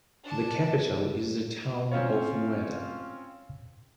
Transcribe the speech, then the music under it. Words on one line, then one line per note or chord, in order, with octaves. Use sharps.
The capital is the town of Mueda.
D4 A5
C4 C#4 F4 C#5